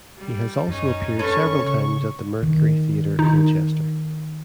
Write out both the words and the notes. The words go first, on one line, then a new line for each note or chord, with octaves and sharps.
He has also appeared several times at the Mercury Theatre, Colchester.
G3
F#2 C#4 D#4
C#4 A4 B4 C#6
C#3
D#3
D#3 D#4